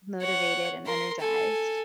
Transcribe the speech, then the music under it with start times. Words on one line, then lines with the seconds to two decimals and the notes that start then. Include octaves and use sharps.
motivated and energized.
0.21 C#5 F#5
0.87 A#4 C6
1.19 A4 G#5